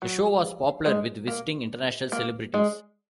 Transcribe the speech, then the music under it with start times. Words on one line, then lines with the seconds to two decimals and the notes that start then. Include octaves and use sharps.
The show was popular with visiting international celebrities.
0.02 F#3
0.86 G#3
1.27 A#3
2.12 A#3
2.54 G#3